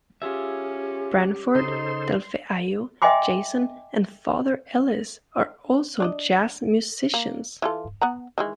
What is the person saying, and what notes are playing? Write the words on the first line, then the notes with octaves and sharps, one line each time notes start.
Branford, Delfeayo, Jason and father Ellis are also jazz musicians.
C#4 F4 G4 G#4 E5
C#3 D#4 A4 C5 D#5 C6
D#5 E5 G5 G#5 C6 D6
D4 D5 D#5
A#3
E3 F4 A4
B3 F#5 A#5
D#3 E3 G#3